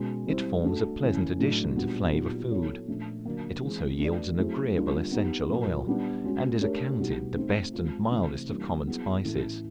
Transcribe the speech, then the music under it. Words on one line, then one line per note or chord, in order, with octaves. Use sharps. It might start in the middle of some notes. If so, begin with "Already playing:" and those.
It forms a pleasant addition to flavor food; it also yields an agreeable essential oil, and is accounted the best and mildest of common spices.
Already playing: B2 G#3 C#4
G3 C4 E4
A3 D4 F#4 A4
C#3 E3 A3 C#4
A2 F#3 A3 D4
A#2 G3 B3 D4 F#4
A#2 F#3 B3 D#4 G4
F#3 B3 E4 A4 C#5
A#2 F3 A3 D4
D3 F#3 A#3
E3 G#3 C4 E4 G#4
A3 D4 F#4 B4 D5
F#3 A3 C4 E4 G#4
D3 G3 A#3 D4 F4
B3 D#4 G4
A#2 F#3 A#3
G3 B3 D4
G#3 C#4 F#4
A3 D4 G4 A#4 C#5
B2 G3 B3 D#4 G4
A3 C4 D#4
G#3 C4 F4
C3 E3 A3
E3 G3 A#3 D4
F#3 B3 E4 G#4
A2 E3 A3 C#4 E4